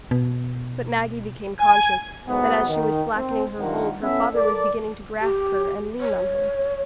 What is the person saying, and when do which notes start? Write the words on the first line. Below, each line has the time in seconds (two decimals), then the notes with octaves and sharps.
But Maggie became conscious that as she was slackening her hold her father was beginning to grasp her and lean on her.
0.11 B2
1.57 G#5
2.28 B1 G#2 B3
2.68 D#3
3.15 C4
3.59 G2 D#3 A#3 F4 F#5
4.01 B3 C#4 E4 A4 E5
4.33 A4 A#4 D5
5.21 G4
6.01 C#5